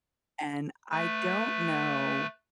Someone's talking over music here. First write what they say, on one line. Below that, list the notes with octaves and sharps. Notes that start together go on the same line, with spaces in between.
and I don't know
A3 B4